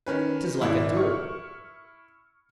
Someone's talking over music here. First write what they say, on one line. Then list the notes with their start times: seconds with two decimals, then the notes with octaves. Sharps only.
'Tis like a duel.
0.06 D#3 C#4 B4
0.62 G#1 E4
0.97 C#6 F6